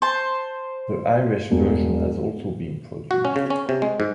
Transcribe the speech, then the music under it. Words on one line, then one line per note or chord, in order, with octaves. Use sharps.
An Irish version has also been produced.
C5 A5
E1
F#4
C#4
C#3
C#4
C3
G#3
G#2